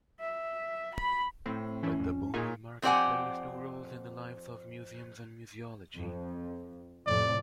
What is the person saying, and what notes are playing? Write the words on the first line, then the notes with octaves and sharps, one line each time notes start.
But the booming market plays two roles in the lives of museums and museology.
E5
B5
A2 C4
E3 A3 C#4 E4
A#1 F2
A#2 D#4 G#4 C#5
F2 C4 G4 D5 F#5 G#5
F2
F2 A2 C3 D5